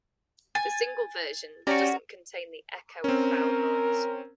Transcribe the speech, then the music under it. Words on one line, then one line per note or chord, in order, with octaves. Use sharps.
The single version doesn't contain the echo and crowd noise.
G#5 A6
C#4 F#4 G4 D5 A#5
C4 C#4 A#4